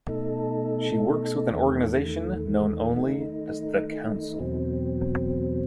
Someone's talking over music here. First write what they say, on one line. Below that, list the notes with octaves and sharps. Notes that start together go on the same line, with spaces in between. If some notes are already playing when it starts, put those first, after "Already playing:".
She works with an organization known only as "The Council".
B2 A3 D#4 A4
E2 D#3 A3
D#3 A3 D#4
E2 B2 F#3 C4